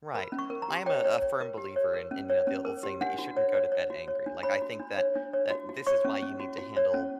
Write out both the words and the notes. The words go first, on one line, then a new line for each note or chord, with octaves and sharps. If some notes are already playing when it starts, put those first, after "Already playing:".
Right. I am a a firm believer in in, you know, the old saying that you shouldn't go to bed angry. Like, I think that that this is why you need to handle
A#4 B5
C#4
C#6
A#4
A#5
G4
C#5 G5
C#5
C#5
A#4
G4
C#5
A#4
C#4
C#5
C#4
A#4
G4
D4 F#5
F#4
C#5
C#5
C#5
F#4
C#5
D4
C#5 B5
F#4
D4
C#5
D4
C#5
F#4
F#4
C#5 C#6
C#4
C#4
F#4
F#4
C#5
C#4